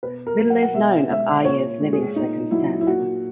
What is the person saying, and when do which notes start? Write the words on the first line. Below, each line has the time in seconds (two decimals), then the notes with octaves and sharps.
Little is known of Ayrer's living circumstances.
0.03 B2 B4
0.27 A#4
0.38 F#3
0.50 F#5
0.63 F#5
0.74 B2 E5
1.10 G#3 E5
1.45 A#2 C#5
1.81 G#3
1.93 G#4
2.16 A#2 D#4
2.51 F#3 E4
2.81 E4
2.87 A#2 F#4